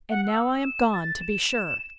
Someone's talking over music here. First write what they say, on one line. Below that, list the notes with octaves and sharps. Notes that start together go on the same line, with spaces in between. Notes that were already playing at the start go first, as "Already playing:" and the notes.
And now I am gone, to be sure!
F#5
E6
E7
A6
E7